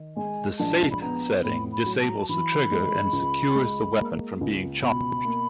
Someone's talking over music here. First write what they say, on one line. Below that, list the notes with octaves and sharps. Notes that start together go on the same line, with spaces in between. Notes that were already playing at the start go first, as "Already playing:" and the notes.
The "safe" setting disables the trigger and secures the weapon from being charged.
Already playing: D#3
G#3 G#5
A#1 A5
B5
B3 A#5
A2 B5
B5
F#3
A5
A#5
A5
E3 B5
G#3
C#2
G#3
A#3
C#2
B2 B5
A#3